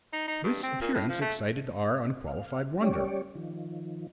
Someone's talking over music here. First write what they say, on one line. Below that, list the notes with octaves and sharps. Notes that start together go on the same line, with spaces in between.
This appearance excited our unqualified wonder.
D#4
D#4
G2
C4
A#2
A2
F3
A3
F5
G3 C#4 G4 C#5 D5
D#3 F3